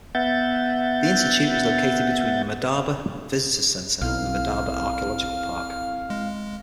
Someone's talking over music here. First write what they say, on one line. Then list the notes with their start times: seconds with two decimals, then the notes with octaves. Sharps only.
The Institute is located between the Madaba Visitors Center and the Madaba Archaeological Park.
0.15 B3 E5 F#5 G6 A6
4.01 B1 C4 E4 A4 F5 F6
6.10 G#3